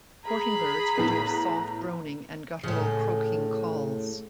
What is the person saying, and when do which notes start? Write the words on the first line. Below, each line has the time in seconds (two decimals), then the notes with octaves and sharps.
Courting birds produce soft droning and guttural croaking calls.
0.24 G#4 A#5 B5
0.97 A2 B3
2.64 A2 C#3